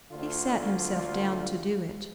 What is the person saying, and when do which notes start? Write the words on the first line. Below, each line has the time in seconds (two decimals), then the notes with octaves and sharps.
He sat himself down to do it.
0.12 D2 D3 F4